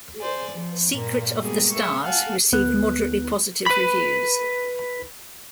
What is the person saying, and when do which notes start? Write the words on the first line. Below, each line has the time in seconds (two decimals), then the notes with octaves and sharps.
"Secret of the Stars" received moderately positive reviews.
0.19 C5 D5 G#5
0.52 F3
0.93 G2 A#2 A#3
1.40 G3 G#3 A#3 B3 F#4 G#4
1.72 G#4 E5 C#6
2.02 F5 F#5 G#5 A5
2.52 D2 B3 F#6
3.66 B4 B5